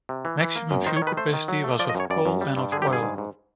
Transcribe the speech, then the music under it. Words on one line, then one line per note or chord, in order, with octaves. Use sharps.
Maximum fuel capacity was of coal and of oil.
C3
E3
E3
A#3
F#2
D#3 C5
C#5
D#3
B4
A3 C5
D#3
F#3
A3
F3 D5
D#5
F#2 C#5
F#2 D5
F#2
G3
G2
D3 G#4
G4
G2
G#4
G#2
G#2